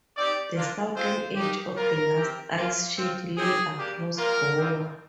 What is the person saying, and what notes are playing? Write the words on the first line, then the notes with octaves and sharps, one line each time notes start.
The southern edge of the last ice sheet lay across Gower.
C4 D#4 G4 D5
A#3 D4 F4
G#3 C4 F4 C5
A#3 D#4 G4
G3 A#3 F4 A#4
C4 G4
A#3 F4
C4 F4
C4 D#4 G4 G#4
G3 A#3 D4 G4
G3 A#3 F4 A#4
G3 C4 F4